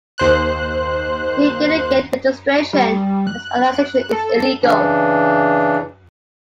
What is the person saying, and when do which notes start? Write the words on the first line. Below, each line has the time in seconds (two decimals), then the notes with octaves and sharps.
But he didn't get a registration and his organization is illegal.
0.18 D#2 C5 F#6
2.73 G3
3.27 F#6
4.13 A4
4.63 C#3 E3 D4